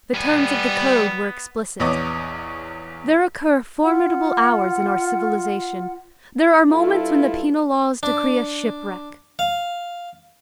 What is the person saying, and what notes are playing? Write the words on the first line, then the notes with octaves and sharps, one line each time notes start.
The terms of the Code were explicit. There occur formidable hours in our civilization; there are moments when the penal laws decree a shipwreck.
G3 B3 G#5
A#1 E2 B3 C#5 D#5 D6
F4 F#5
G2 E4 F4 A4
D4
F5